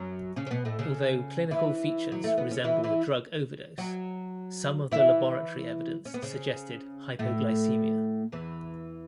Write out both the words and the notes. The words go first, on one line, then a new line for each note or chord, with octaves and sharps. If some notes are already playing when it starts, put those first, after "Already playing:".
Although clinical features resembled a drug overdose, some of the laboratory evidence suggested hypoglycemia.
Already playing: F#2 F#3
C#3 C#4
C#4
B2 B3
A2 A3
C#3 C#4
E3 E4
F#3
A3
B3
C#4
E3 E4
E3 E4
F#3 F#4
E3 E4
C#4
B3
C#3 C#4
A2 A3
E2 E3